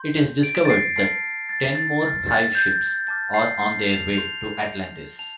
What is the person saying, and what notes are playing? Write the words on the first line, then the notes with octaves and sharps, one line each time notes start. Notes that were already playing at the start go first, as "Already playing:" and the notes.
It is discovered that ten more hive ships are on their way to Atlantis.
Already playing: C6 G6
D7
A6
C7
A5 C6 F6 C7
A6
A6
C6 F6 A6
A6
G6
A5 D6 F6 A6
C7
C7
F7
C6 G6 F7
A5 F7